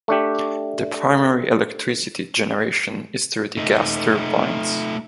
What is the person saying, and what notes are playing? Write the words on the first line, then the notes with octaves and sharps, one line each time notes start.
The primary electricity generation is through the Gas turbines.
A3 D4 G4
A3 D#4